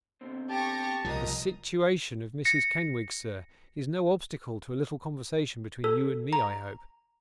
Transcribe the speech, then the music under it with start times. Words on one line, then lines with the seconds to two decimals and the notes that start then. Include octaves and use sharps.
'The sitiwation of Mrs Kenwigs, sir, is no obstacle to a little conversation between you and me, I hope?'
0.21 B2 D3 C4
0.50 G4 A5 C#6 A#6
1.05 C2 F3 G4 A#4 D#5 A#5 D#6
2.45 A#6 C#7
5.84 A4
6.33 A#5